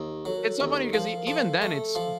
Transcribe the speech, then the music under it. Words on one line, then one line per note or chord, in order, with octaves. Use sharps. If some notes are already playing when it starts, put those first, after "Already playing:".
It's so funny because e even then, it's,
Already playing: D#2
F#3 A4
A#4
A4
D#2 A#4
A4
A#4
A4
F3 A#4
A4
A#4
F3 A4
A#4
A4
A3 A#4
A4
F3